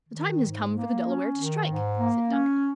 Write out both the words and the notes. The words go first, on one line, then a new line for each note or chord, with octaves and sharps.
"The time has come for the Delaware to strike!" said Duncan.
D#3
G#2
A#3
C#4
D#3
G#2
A#3
C#4